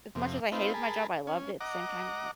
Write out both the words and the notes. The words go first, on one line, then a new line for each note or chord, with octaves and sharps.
as much as I hated my job, I loved it same time, now.
F2 C3
C4 D#4 F4 B4
G#4 A#4 A5 B5
C#4
D#5 F#5 A#5 D6